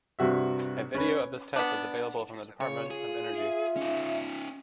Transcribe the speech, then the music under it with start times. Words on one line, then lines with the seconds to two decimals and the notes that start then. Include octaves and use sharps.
A video of this test is available from the Department of Energy.
0.19 G2 C3 F#4 E5
0.95 C#4 B4
1.56 B3 D4
2.61 C#3 C#5
2.91 F4 G#4
3.37 E5
3.77 C#4 D#4